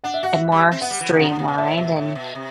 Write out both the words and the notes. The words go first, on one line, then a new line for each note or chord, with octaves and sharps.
and more streamlined, and
D4 F#5
E5
F#4 F#5
E5
G3
C4
B3 F#5
G3
E3
D3
C3 F#5
D3
C3
B2
A2 E5
B2
A2
B2
C3